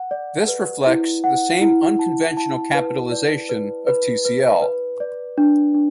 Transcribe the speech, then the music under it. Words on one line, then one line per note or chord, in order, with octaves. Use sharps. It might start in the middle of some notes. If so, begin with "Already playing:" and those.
This reflects the same unconventional capitalization of Tcl.
Already playing: F#5
D5
B4
E4
F#5
E4
A5
A5
B4
D5
B4
B4
B4
B4
D5
D4
D4